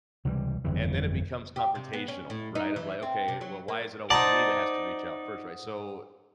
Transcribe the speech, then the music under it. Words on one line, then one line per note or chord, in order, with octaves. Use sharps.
And then it becomes confrontational, right, I'm like, "Okay, well, why is it always me that has to reach out first?" Right, so, uh
C#2 C3 E3 G3
G1 F2 C#3 E3
G4
C3
B3
C#4
A2
D#4
E3
C4
C3
F#3
A#3
D#4 C5 D5 F#5 A5 A#5 D#6